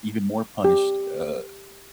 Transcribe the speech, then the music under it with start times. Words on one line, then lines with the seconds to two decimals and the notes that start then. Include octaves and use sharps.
even more punished, uh,
0.65 G4